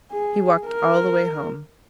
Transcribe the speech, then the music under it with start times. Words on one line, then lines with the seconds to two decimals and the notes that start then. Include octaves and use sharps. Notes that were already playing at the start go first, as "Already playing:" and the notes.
He walked all the way home.
0.12 G#4
0.67 A#4